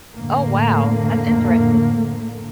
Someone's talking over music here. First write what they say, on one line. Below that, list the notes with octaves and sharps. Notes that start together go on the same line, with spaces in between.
Oh, wow, that's interesting.
F2 A2 D3 A3 A#3